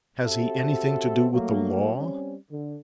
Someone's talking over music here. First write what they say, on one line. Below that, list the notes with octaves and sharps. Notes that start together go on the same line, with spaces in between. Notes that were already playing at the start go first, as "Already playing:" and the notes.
Has he anything to do with the law?'
C4 F#4 G4 A4 E5
F#3 A3 A#3
G3 C4 C#4
D3